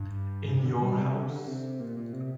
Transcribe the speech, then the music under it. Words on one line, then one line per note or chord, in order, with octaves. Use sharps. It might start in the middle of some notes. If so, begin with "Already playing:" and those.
In your house.
Already playing: G2
C3
C3
D3
G3
C3
D3
C3
D3
C3
A#2
A#2
C3